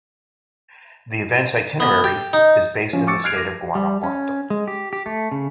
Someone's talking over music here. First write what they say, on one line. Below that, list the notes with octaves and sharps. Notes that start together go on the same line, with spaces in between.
The event's itinerary is based in the state of Guanajuato.
B3
G4
D#4
F3 C#4
C#6 D6 E6 A6 C#7
F6 F#6 G#6 C7 D7 F7
D6 A#6
G3
C#4
G#3
G4
G4
A3
C#3